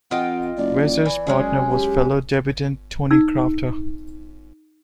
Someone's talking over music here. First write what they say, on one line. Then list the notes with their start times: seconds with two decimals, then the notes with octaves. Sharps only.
Weser's partner was fellow debutant Tony Crafter.
0.11 F2 F4 D#5 F#5 G5
0.57 F#1 D5
1.06 E3
1.27 F#2 G#3 C#4 G#4
1.69 G4
3.11 D#4 E6